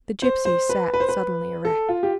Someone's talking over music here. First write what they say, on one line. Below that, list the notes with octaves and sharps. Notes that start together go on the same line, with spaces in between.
The gipsy sat suddenly erect.
C5
C5
B4
B4
C5
B4
A4
F4
G4